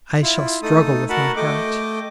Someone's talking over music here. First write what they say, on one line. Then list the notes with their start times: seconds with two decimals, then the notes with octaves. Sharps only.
I shall struggle with my heart.
0.22 E4 F4
0.62 A3 D#4 A4 D#6
1.09 F#4 A#4 F#5 A5 B5
1.36 A3 D#5 G5 D6